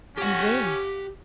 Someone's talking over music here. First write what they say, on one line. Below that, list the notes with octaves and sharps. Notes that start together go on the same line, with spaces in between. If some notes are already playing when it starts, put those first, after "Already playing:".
In vain!
C#4 G4 F#5